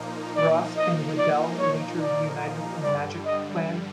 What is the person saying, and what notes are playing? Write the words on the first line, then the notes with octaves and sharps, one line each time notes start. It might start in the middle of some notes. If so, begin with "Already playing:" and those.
Ross and Weddell later reunited in Magic Clan.
Already playing: A#2 F3 A#3 D#4
D5
D#5
D5
C#5
D5
G2 D3 G3 D5
D#5